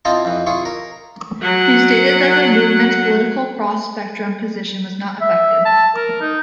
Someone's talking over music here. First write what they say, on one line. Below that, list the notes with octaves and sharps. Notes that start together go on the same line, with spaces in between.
He stated that the movement's political cross-spectrum position was not affected.
C4 E4 F4 D#5 F5 A5
F2 E3
E4 F4 G#4 C#5
A#4
F#3 F#5
E5
A5
A#4
D#4